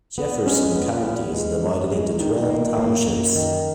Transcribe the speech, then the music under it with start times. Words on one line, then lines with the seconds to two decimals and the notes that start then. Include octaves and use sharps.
Jefferson County is divided into twelve townships.
0.18 B3
0.46 G#3 C#4
0.75 B3
1.04 B3
1.34 G#3
1.62 B3
1.91 G#3
2.20 D#3 D#4
2.49 A#3
2.78 A#3
3.06 F#2
3.35 D#3